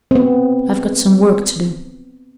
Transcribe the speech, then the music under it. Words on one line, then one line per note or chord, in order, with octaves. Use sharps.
I've got some work to do.
B3 C4